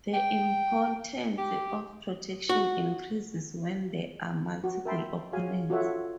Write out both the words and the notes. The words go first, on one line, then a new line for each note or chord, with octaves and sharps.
The importance of protection increases when there are multiple opponents.
G5
G4
F#4
F#4
A#4 E5 G5 A5 B5 C6
F#4 G#4 C#5 F5 G#5
F4 F#4 A4 C#5 E5 F#5